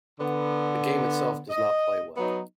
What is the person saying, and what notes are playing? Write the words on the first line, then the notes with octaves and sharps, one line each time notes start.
The game itself does not play well.
D3 B3
D#5
F#3 B3 D#4